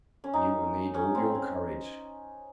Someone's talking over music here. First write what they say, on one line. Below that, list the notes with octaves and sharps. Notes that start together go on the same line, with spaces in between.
And you will need all your courage.
C#4
D#4
C#4
C4
C#4